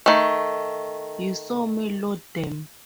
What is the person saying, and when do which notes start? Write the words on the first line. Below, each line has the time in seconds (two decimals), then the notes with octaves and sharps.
You saw me load them.
0.06 D#3 A3